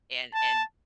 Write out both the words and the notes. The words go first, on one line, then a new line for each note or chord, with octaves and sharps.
and and
A5